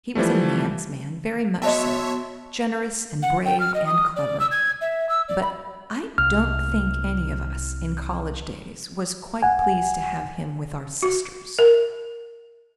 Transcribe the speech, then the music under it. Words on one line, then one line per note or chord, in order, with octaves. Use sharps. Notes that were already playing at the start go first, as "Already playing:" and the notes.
He was a man's man, very much so, generous and brave and clever; but I don't think any of us in college days was quite pleased to have him with our sisters.
E3 F3 G3 A3
B3 F#4 C#5 D#5 E5 A5 C6
F#5
G5
F6
D#5
D#6
D5
E6
G#6
E5
E6
D5
B5
C2 F6
C2 F#5 G#5
F#4
A#4